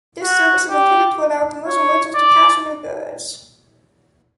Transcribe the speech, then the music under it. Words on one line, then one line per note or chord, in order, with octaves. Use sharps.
This service is intended to allow commercial merchants to cash in their goods.
F#4
G4
C#5
D5